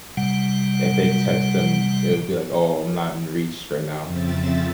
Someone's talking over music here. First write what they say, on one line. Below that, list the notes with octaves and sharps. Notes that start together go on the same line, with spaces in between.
if they text them, it will be like, "Oh, I'm not in reach right now,"
C3 G3 F#5
F2 C#3 F3 C4 E5 A6